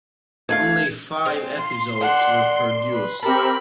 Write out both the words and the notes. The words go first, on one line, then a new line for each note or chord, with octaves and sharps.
Only five episodes were produced.
D2 A3 F5 G#6
G#3 C4
F4 C6
D#3 D4 F#5
B4
C4 G4 A4 A#4 E5 B5